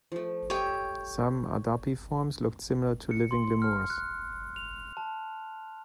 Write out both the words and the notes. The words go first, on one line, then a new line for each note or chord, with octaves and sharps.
Some adapiforms looked similar to living lemurs.
F3 A3
G4 C#5 D#5 E5 G5
C#7
C6
F6
F#6
F7
A5